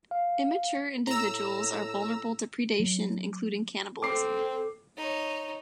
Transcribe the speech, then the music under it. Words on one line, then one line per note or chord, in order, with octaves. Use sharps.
Immature individuals are vulnerable to predation, including cannibalism.
F5
A2 A#5 E6
F#3
C4 A4 D6 C7
D#4 C#5